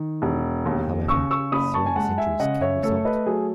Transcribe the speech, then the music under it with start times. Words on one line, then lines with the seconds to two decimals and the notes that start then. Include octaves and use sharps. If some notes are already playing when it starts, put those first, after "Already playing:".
However, serious injuries can result.
Already playing: D#3
0.22 E1
0.65 D#2
1.08 C#3 C#6 E6
1.31 C#6 E6
1.52 F#1 B5 D#6
1.74 A5 C#6
1.86 G#5
1.96 G#3 F#5 A5
2.18 E5 G#5
2.40 C#3 D#5 F#5
2.61 C#5 E5
2.83 A3 A4 C#5
3.05 B4 D#5
3.26 F#3 G#4